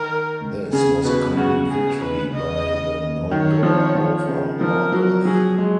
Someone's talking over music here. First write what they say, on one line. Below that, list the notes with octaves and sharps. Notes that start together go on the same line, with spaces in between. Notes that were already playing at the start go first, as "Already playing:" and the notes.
This was a complete victory by the Noldor over Morgoth.
Already playing: D#3 A#4
C#3 G#4
B2 B4
C#3 F#4
G#4
B4
D#5
D#3 C#5
F3
F3
C#3
F3 A#4
F#3
F#3 G#4
G#3